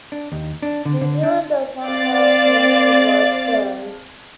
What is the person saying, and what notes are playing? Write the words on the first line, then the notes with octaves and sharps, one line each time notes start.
New Zealand does not have many large firms.
D4
D#2
D4
D3
D3
D4
C4 D5 F5 A6